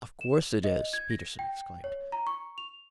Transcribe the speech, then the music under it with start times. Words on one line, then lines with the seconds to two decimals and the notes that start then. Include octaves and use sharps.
"Of course it is," Peterson exclaimed.
0.21 E7
0.64 D#5
0.93 G#6
1.10 A#6
1.39 G5
1.84 C#5
2.12 A#5
2.27 C#6
2.58 F7